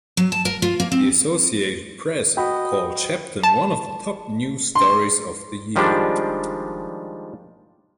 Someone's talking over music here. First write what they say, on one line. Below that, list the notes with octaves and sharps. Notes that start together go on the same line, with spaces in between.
The Associated Press called Sheppton one of the top news stories of the year.
F#3
A5
A#4
F4
A#3
C4
F#4 D#5 G5 B5
A5
C6
D#3 F3 G3 G#3 D4